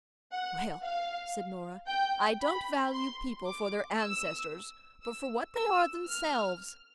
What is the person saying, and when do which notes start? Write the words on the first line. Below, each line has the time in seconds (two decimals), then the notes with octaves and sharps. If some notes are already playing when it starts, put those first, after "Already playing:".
"Well," said Nora, "I don't value people for their ancestors, but for what they are themselves."
0.32 F#5
0.84 F5
1.89 G5
2.41 B5
2.93 C6
3.46 D6
3.98 E6
5.02 E6
5.55 E6
6.06 F6